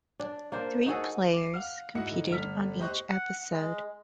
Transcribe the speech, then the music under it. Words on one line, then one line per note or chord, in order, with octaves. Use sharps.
Three players competed on each episode.
D4
A#3 D4 C5
D#4 F#4 G#4 A4
D6 C7
F5 F#5 F6
G#2 E4 F#4 D#5 F#5 C#7
D3 D#4
G1 A3 F6 B6
G4 C5 D#5 C#6 F#6
F#5
G#3